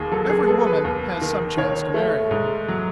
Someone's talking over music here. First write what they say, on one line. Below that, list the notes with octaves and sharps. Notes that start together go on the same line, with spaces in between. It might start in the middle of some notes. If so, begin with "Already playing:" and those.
Every woman has some chance to marry.
Already playing: D#2 D#3 G#4
F#3 A4
G#4
B3 A4
B4
D#2
D#3
D#3 C#5
A3
G#2
F#3